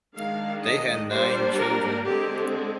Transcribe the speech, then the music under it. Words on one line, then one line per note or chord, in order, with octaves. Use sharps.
They had nine children.
D#3 G#3 D4 F5
D#5
G3 A#3 D4 C5
A#4
D3 G#3 C4 G4